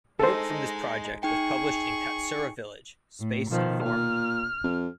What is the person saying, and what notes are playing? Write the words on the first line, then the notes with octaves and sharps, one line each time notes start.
Work from this project was published in "Katsura Villa: Space and Form".
G#3 D#4 A4 C5
D#4 G#4 G5 C#6
A2
B2 D#3 F3
A#2 F6
F2